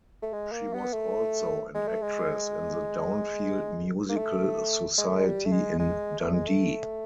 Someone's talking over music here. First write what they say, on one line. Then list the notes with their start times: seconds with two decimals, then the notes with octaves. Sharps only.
She was also an actress in the Downfield Musical Society in Dundee.
0.22 A3
0.33 G#3
0.52 A#3
0.73 B3
0.93 A3
1.75 G#3
1.87 A3
2.02 G#3
4.09 A#3
4.17 A3
4.98 G#3
5.07 A3
5.17 G#3
5.25 G3
5.46 A3
5.52 G#3
5.79 G#3
6.20 A3
6.33 G#3
6.47 A3